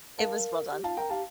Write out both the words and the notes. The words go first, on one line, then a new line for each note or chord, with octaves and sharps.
it was well done.
A#4 F5 A5
G4
F4 F5 A5
A#4 G5 A#5
G4 F5 A5